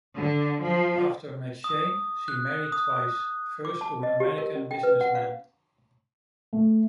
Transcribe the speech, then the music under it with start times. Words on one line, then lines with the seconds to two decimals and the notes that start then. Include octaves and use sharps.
After McShane, she married twice, first to an American businessman.
0.16 D3
0.62 F3
1.64 D#6
2.28 F#6
2.72 D#6
3.65 D6
3.81 A5
4.03 D#5
4.20 G4
4.38 A#4
4.55 C#4
4.71 G5
4.83 B4
5.01 F#5
5.15 F5
6.53 A3